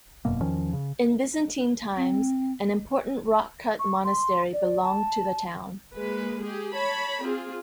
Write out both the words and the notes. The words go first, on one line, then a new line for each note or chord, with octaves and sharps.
In Byzantine times, an important rock-cut monastery belonged to the town.
E1 F#2 B2 A#3
E2 D#3 F3 C#4
C#3
C4
C#6
C6
D5
A5
G#3 A#3 B4
G4 G#4
C#5 A5 B5
C4 F4 G#4